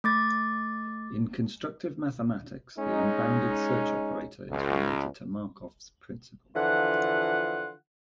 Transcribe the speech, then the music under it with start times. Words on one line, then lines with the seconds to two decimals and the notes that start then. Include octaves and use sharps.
In constructive mathematics, the unbounded search operator is related to Markov's principle.
0.04 A3 D6 A6
2.78 G#3 C#4 D#4
4.50 C#2
6.55 D3 E3 F3 F4 F#5